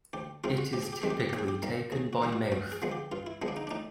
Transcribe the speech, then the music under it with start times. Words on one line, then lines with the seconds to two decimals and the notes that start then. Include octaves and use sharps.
It is typically taken by mouth.
0.13 D2 G4
0.44 C3 D#3 G#3 C4 F4
0.58 F#4
0.73 D2 G4
0.82 G#4
0.93 G4
1.02 C3 D#3 G#3 C4 G#4
1.10 G4
1.20 G#4
1.29 D#2 G4
1.39 G#4
1.48 G4
1.62 D#3 G3 A#3
1.92 D#2 G#4
2.13 F#4
2.22 D#3 G3 A#3
2.33 F#4
2.52 G2 F#4
2.72 G#4
2.82 D3 F3 G#3 B3
2.92 G4
3.12 G2 F4
3.27 E4
3.42 D3 F3 G#3 B3
3.48 D4
3.57 D#4
3.67 D4
3.71 A2 D#4